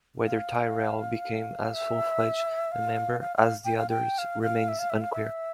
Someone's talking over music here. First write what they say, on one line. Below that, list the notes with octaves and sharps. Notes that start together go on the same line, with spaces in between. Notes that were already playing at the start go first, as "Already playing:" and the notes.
Whether Tyrell became as full-fledged a member as the others remains unclear.
F5
E5
F5
F5
F5
G5
F5
G5
F5
F5
E5
F5
E5
F5
E5